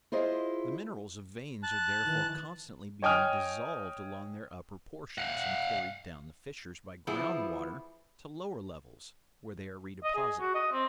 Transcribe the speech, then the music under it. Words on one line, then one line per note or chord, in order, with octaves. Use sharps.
The minerals of veins are therefore constantly being dissolved along their upper portions and carried down the fissures by ground water to lower levels, where they are redeposited.
E4 F4 G#4 C5 D#5
A5 F#6
D#3 E3
C#5 D#5 G5 G#5 D#6 F6
F5 F#5
E3 F3 B3 E4 G#4
D#5
G#4
F#4
D#5
C4